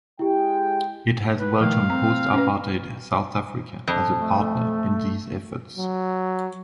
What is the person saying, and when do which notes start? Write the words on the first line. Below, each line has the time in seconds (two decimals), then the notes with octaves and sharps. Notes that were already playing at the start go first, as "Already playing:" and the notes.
It has welcomed post-apartheid South Africa as a partner in these efforts.
0.19 G#3 E4 G4 G5
1.38 B4
1.61 D#3 F3 A3 F5
1.90 C4 A#5
2.34 C#4 B4
3.88 F2
4.17 A3
5.77 F#3